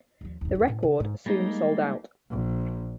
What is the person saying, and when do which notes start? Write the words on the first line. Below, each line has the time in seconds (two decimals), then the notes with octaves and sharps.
The record soon sold out.
0.21 D#2 F3
0.41 G#1 D#2
0.55 E2 D#4
0.68 A2
0.83 C#3
1.00 G#2
1.26 G3 G#3 A#3 D#4
2.30 A#1